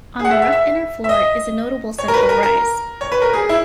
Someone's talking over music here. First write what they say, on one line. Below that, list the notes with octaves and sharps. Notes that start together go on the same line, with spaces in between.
On the rough inner floor is a notable central rise.
G#4
F#5
E5
E5
E5
E5
D#5
C#5
A#4
B4
A#4
A#4
C#5
B4
A#4
G#4
E4